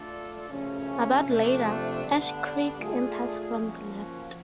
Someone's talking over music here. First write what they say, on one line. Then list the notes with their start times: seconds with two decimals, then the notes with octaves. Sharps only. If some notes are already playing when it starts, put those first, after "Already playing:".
About later, Ash Creek enters from the left.
Already playing: A3 D4 F4 A4 D5
0.50 F#2 C#3 F3 A3 C#4
1.27 C3 F3 A3 D4
2.04 D3 G3 B3 D4
2.80 A3 D4 F4 G#4
3.57 F3 A#3 C#4 F#4